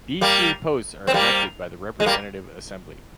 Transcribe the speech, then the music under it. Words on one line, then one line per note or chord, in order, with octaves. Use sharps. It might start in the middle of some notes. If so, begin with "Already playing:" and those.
These three posts are elected by the Representative Assembly.
G3 A#3
C4
G3 A#3
G#3
G3 A#3